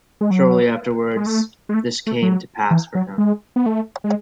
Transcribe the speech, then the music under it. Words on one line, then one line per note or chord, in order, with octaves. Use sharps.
Shortly afterwards this came to pass for him.
G#3
F#3
G#3
A3
G#3
A3
A3
F#3
E3
F#3
G#3
B3
A3
G#3